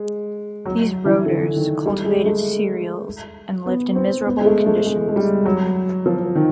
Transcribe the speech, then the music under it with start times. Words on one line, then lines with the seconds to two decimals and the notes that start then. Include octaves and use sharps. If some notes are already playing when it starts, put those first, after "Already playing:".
These "roters" cultivated cereals, and lived in miserable conditions.
Already playing: G#3
0.65 F#3
1.05 E3
1.25 D3
1.56 D#3
1.86 G3
2.05 G#3
2.25 A3
3.66 B3
3.95 C4
4.26 B3
4.40 G#3
4.46 A3
4.66 A3
4.86 G#3
5.08 G#3
5.16 G3
5.45 F#3
6.06 F3
6.35 D#3